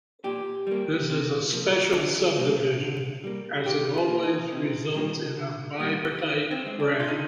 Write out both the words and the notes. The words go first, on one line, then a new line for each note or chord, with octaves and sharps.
This is a special subdivision, as it always results in a bipartite graph.
A#2 G4
G3 A#3
C3
F3 A#3
D3
G3 A#3
D3
G3 A#3
D#3 G4
F4
A#3
D#4
C3
D#3 G3 A#3
D3
G3 A#3
D#3
C4
G#3
D4
F4
D3 D#4